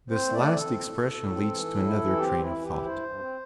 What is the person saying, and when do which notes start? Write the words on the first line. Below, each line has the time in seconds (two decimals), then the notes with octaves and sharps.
This last expression leads to another train of thought.
0.10 C4 C5
0.27 A3
0.33 D5
0.44 C4
0.55 A4
0.62 C4
0.79 A2
0.96 A2
1.14 A2
1.31 C4
1.48 E3
1.65 A2
1.82 E4
1.99 E3
2.17 C4 G4
2.33 E3
2.39 E4
2.51 E3
2.62 G4
2.68 E4
2.85 G2 C5
3.03 G2
3.19 C4